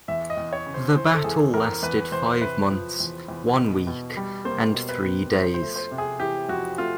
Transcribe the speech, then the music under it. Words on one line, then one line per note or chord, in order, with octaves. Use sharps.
The battle lasted five months, one week, and three days.
E2 E5
D#5
E2
C#5
C#3
C5
E3 C5
A4
E2 G#4
E2 A#4
E2 B4
E2 C5
C3 B4
F3
E2
E2
B2
B2
G3
A#3 C5
B2
B4
B2
F2 C5
C5
A3
C5
C3
G#4
E3 G4
F2 F#4
A3 F4